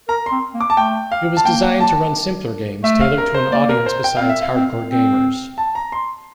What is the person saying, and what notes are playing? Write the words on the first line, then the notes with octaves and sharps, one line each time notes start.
It was designed to run simpler games tailored to an audience besides 'hardcore gamers'.
A#4 A#5
C6
C4
A#3
D6
A5
A3 G5
F5
A5
A#3 G5
A5
A3 E5
F5
A#4
C5
A#3 D5
A#4
C5
G5
C4 F5
E5
F5
C4
C4
A5
A#5
C6